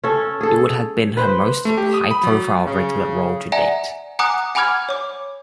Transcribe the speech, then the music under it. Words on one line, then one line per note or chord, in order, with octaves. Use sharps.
It would have been her most high-profile regular role to date.
C#4 A4
G#4 A4
B4 C5
A3
G4
D#6
B5
F#3
C#3
D5 E5 F#5 G#5 A#5
F#5 G#5 A#5 D6 D#6 F#6
F#5 G#5 B5 D6 F6 G#6
C#5 D6